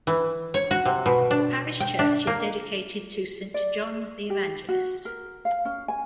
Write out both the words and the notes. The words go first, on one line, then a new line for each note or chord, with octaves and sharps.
The Parish Church is dedicated to Saint John the Evangelist.
E3
C#5
F#4
C3
B2
D4
G5
D4
A#3
D5
G4
F#4
A#4
F5
C#4
G#5